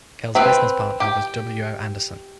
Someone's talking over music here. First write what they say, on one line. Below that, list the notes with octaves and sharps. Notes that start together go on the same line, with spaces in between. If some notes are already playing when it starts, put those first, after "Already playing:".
Kell's business partner was W. O. Anderson.
C4 B4
G4